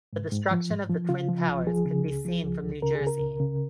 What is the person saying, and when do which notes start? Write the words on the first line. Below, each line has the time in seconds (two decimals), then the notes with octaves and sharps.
The destruction of the twin towers could be seen from New Jersey.
0.13 G#2
0.32 G#2
0.51 F3
0.70 G#2
0.90 F3
1.09 C#3 F4
1.29 F3
1.48 C#2
1.67 F3 G#4
1.86 C#3
2.06 C#2
2.25 F3
2.44 C#2
2.63 C#2
2.82 C#3 A#4
2.95 G#4
3.01 C#3
3.07 A#4
3.20 C#2
3.40 C#3